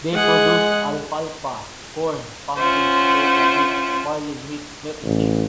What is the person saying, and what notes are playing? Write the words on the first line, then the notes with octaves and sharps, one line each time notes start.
They produce alfalfa, corn, pumpkin, potato, wheat, barley, meat, milk and cheese.
G#3 G#4 F#5
C#4 F4 C5 E5 F#5
A1